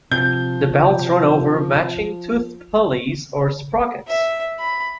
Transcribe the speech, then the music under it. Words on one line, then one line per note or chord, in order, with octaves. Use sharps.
The belts run over matching toothed pulleys or sprockets.
C3 F3 G6
E5
B5